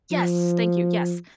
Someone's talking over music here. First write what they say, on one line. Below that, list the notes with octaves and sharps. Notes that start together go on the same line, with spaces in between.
Yes, thank you, yes,
F3